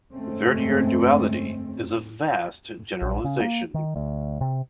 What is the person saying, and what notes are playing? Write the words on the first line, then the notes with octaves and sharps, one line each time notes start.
Verdier duality is a vast generalization.
G1 F2 G#3 A3 C4 C#4
A#1
C#3
A#3
D#3
D2
C3